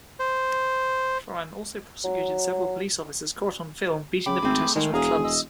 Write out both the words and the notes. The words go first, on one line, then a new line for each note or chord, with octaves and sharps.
Foran also prosecuted several police officers caught on film beating the protestors with clubs.
C5
F#3
C#3 G5 B5 D6
G#1 A3 C4 G#4
D#3 G#3
E1 G#4 F5 A#5
D#5 E6